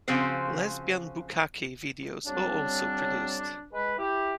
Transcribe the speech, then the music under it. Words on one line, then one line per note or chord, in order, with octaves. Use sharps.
"Lesbian bukkake" videos are also produced.
C#3 F3 C4 F#4 C5
C#3 F#3 G3 C4 D4
G#3 B4
E4 G4